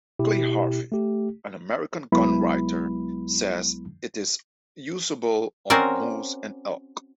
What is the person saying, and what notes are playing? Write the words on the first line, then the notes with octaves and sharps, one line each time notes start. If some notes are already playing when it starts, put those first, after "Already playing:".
Clay Harvey, an American gun writer, says it is usable on moose and elk.
B2 E4 G4
A3 G4
C2 F#3 G#3 B3 E4 B5
C4 C#4 F#4 A#4 D5